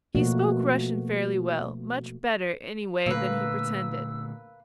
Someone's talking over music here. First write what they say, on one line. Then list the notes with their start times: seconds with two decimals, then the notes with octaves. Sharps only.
He spoke Russian fairly well, much better, anyway, than he pretended.
0.15 B2 F3 A3 A#3 F#4
3.06 A#2 D3 A3 A#3 B4 E6